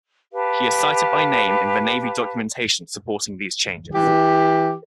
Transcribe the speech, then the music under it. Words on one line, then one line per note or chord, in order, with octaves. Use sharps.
He is cited by name in the Navy documentation supporting these changes.
G4 B4 F5 A5
E3 G4